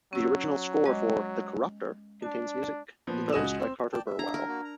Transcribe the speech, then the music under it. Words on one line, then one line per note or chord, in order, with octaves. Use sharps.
The original score for "The Corruptor" contains music composed by Carter Burwell.
F#3 C#4 E6
G#3 D#5 D6
D4 A5
A#2 F3 B3
C#2 F#4 D#5 G#5 D#6 E7
C4
D5 G5 A5
E5
D4 A#5
A#4
A#3 F#4
A#5